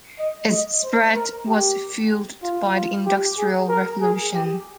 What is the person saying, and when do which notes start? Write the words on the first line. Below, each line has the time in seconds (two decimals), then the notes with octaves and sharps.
Its spread was fueled by the Industrial Revolution.
0.19 D#5
0.52 D#5
0.83 C5
1.15 A#4
1.47 G4
2.43 F4
2.74 F4
3.06 G4
3.38 G#4
3.69 A#4
4.01 G#4
4.34 G4